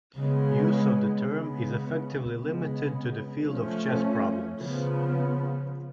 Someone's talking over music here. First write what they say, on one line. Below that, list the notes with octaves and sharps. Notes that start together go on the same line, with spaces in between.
Use of the term is effectively limited to the field of chess problems.
C#3 G#3 B3
C#3 G#3 B3
C#3 G#3 B3
F3 A3 C#4
C#3 F3 B3